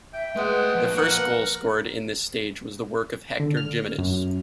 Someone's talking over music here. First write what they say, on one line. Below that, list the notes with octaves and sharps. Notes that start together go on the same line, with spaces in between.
The first goal scored in this stage was the work of Hector Gimenez.
E5 G5
G#3 A3 B4 F#5
F3 A#3
A#4 F#5
D3
F6
F#2